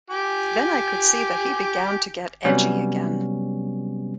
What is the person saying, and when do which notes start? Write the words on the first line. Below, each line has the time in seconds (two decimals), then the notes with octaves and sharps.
Then I could see that he began to get edgy again.
0.10 G4 G#5 D6
2.45 C3 F#3 G3 B3 C#4